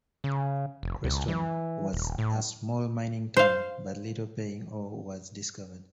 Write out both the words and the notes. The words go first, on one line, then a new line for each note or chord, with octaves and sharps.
Crestone was a small mining town, but little paying ore was discovered.
C#3
F1
C#2
E3
D#1
A2
C5 F5